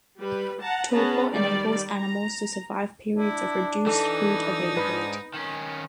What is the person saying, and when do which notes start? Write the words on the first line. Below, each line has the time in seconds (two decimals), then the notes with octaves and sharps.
Torpor enables animals to survive periods of reduced food availability.
0.20 G3 B4
0.61 F#5 A5 A#5
0.94 B3 C#4 G#4 B4 A5 A#5
1.31 D#3 G3 D5
1.92 A#5
3.18 D4 E4
3.86 E3 D#4 A4
4.77 G#2 B4
5.34 D#3 C#4